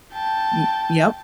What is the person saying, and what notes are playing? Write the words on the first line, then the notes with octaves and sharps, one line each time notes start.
Y yep.
G5 A5